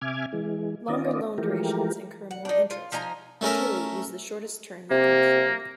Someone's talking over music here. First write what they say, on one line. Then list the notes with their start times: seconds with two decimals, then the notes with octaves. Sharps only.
Longer loan durations incur more interest, ideally use the shortest term you can afford.
0.01 C3 E5 G#5 D6 F6 G#6
0.33 E3 G#3
0.88 D#3 B3 C#4 F4 D5 D#5
1.38 E3 F3 G#3 A3 G4 A#4
2.31 F#5
2.45 D4 D#4
2.71 F4
2.92 F3 D#4 G#5 A#5
3.41 A3 C#4 A#4 E5
4.91 C3 A#3